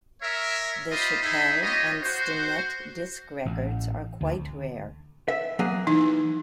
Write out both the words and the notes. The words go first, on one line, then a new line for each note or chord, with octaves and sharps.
The Chappelle and Stinnette disc records are quite rare.
A#4 C#5 E5
F4 G4 C5 D#5 B5
D#4 E4 G#4 E5 B5
F4 G4 C#5 D#5
F#4 C5
A1
D2
E5
F#3 A#3 G#4
E3 D#4